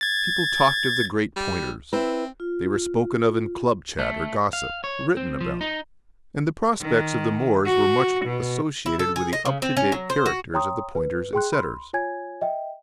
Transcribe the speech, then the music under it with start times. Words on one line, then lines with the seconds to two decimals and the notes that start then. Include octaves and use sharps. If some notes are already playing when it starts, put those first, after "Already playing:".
People talked of the great Pointers. They were spoken of in club chat or gossip; written about; and the prospects of the moors were much associated with the up-to-date characters of the Pointers and Setters.
0.01 G#6 A6
1.36 G3
1.93 C4 E4 B4
2.40 F4
3.99 A3
4.53 F5
4.84 C#5
5.17 C4
5.41 F3
5.61 D#4
6.82 D#3
7.66 F#4
8.25 B2
8.86 E4
8.99 A4
9.16 G#4
9.33 D#5
9.45 C#3
9.62 C4
9.77 C#4
9.92 F#3
10.10 C5
10.26 F#4
10.54 C#5 G5 A#5 C6 D#6
10.95 B4
11.33 G#4 G5 C6 F#6
11.53 B5 C6
11.93 F4 C#5 G#5 G#6
12.41 D#5 E5 G5